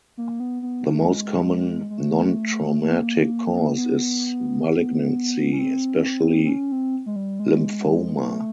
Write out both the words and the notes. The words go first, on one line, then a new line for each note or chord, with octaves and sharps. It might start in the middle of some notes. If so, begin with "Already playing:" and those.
The most common nontraumatic cause is malignancy, especially lymphoma.
A#3
B3
B3
A#3
A3
G#3
G#3
A3
A#3
B3
B3
C#4
C4
C4
C#4
C4
G#3
G3
G#3
A#3
A3